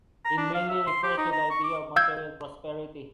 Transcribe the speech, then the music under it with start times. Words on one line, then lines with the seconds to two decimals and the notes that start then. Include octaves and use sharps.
It mainly refers to the idea of material prosperity.
0.25 A#5
0.37 D4
0.55 F5
0.69 E5
0.87 C6
1.03 G4
1.18 D#4
1.32 A#5
1.50 C#6
1.64 D6
1.96 F5 E6 G6 G#6